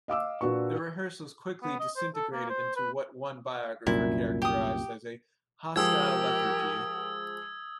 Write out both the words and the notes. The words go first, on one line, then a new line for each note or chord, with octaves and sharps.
The rehearsals quickly disintegrated into what one biographer characterised as a "hostile lethargy".
D#5 F5 D6 E6
A#2 D4 F#4 B4 C#6
B3
D#5
C5
A4
A#3
C5
B4
C2 F#2 A#2 E4
G4 D#6
F3 G#3 G4 A#4 D#6 E6 G#6